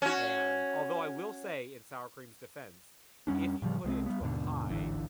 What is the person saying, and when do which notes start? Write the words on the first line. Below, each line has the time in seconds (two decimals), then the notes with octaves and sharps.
and although I will say in sour cream's defense, if you put it into a pie,
0.02 C#4 F#4
3.27 F2 G3 C#4 D4
3.62 A2 C#3 F3 G3
3.84 C2 G#3 A#3 C4
4.06 G3 B3
4.21 D#2 G#2 B2 D3
4.69 D1 G#1 D3 E3